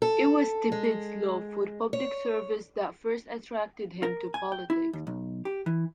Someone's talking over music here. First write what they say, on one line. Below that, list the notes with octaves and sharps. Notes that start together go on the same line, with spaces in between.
It was Tibbetts' love for public service that first attracted him to politics.
A4
G#3
C#5
A#4
G#5
G5
E4
D#2
B1
G4
E3